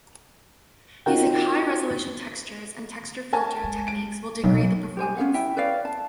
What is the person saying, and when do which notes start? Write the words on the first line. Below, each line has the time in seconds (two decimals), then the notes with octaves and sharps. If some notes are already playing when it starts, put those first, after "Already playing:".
Using high resolution textures and texture filtering techniques will degrade the performance.
1.06 D#4 F4 F#4 A#4 G5
3.33 A#4 G#5 A5
3.64 G#3
3.88 D7
4.44 B1 F#3 A3
4.97 G4 C5 G#5
5.17 C#4 G#4 F5 F#5
5.34 E4 E5 G5
5.57 B4 C#5 D5 F5
5.85 A5